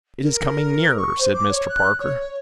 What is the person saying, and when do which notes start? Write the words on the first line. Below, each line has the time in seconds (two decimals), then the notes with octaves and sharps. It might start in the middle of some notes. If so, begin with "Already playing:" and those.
"It is coming nearer," said Mr. Parker.
0.22 A#4
0.96 C#6
1.18 C5
1.33 D6
1.48 C#5
1.68 F#6
1.99 C#5